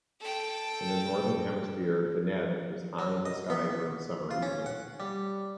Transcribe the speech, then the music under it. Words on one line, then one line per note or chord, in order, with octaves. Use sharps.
In the northern hemisphere Deneb is high in the sky during summer evenings.
A4 G5
F#3
D#5
B3
F4
C#4
F#5
G3